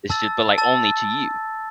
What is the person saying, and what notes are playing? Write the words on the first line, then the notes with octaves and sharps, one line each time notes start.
It's just but, like, only to you.
A5 E6 A6
A5 E6 A6